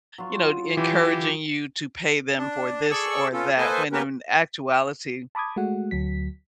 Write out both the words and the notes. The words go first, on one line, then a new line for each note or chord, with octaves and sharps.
you know, encouraging you to pay them for this or that, when in actuality
F#3 F4
E3 G4
D4
G#4 A4 D5 C#6 E6
B3 C#4 F4 A4
A#3 A4 B4 C5 D#5 G#5
A#3 B3 C#4 G4 A#4 B4
A5 B5 D6 D#6 G#6
G#3 A3 F#4 F#5
D2 F#3 B6